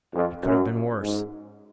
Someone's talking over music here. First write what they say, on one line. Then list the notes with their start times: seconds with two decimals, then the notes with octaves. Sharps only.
It could have been worse.
0.14 F2
0.43 F#2
1.01 G#2